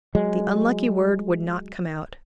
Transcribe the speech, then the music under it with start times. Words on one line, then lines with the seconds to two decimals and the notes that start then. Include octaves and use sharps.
The unlucky word would not come out.
0.15 F#3 G#3